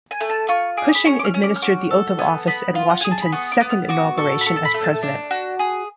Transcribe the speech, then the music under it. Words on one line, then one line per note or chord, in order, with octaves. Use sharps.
Cushing administered the oath of office at Washington's second inauguration as president.
G#5
A3
A5
F4 C#6
G#4 D6
B5
C#4 C#6
D6
F6
C#4
D6
F6
F#4 D6
A4
B3 G#5
B3 B5
F4
F#5
G#4 G#5
A5
B5
B3 C#6
D6
B3
F6
F#4 D6
A4 C#6
B5
A4 C#6
A5
B5
A3
A5
D4
F#4
G#4